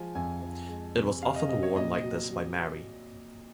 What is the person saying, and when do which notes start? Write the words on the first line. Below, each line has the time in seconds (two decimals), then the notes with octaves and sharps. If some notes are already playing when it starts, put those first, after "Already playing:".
It was often worn like this by Mary.
Already playing: F3 G#3 G#5
0.15 F2 G#5
0.42 F3
0.69 G#3
0.96 C3
1.22 C3 F5
1.36 D#5
1.49 C3 D#5
1.63 C#5
1.76 A#2 D#5
1.94 D#5
2.03 F#3
2.30 F#3